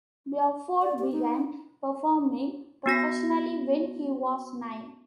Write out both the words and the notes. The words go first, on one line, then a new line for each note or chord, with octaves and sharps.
Beauford began performing professionally when he was nine.
D5
G4
D#4
B3 F#4 A#6 B6